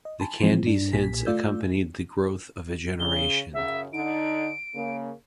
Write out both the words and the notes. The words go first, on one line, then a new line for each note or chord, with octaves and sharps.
The candies hence accompanied the growth of a generation.
D#5
G#5 A5 B5 C6
E3 F3 G#3 C4
G2 D4
B1 A#2 G4 G#5 B6
A3 F4 D5 E6 G6
C#3 G7
F#2 C#3 E5
D3 D#4 D7
C#3 A#3